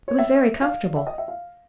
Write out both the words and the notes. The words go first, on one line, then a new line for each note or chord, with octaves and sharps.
It was very comfortable.
C#5
E5
F5
E5
D#5
E5
F5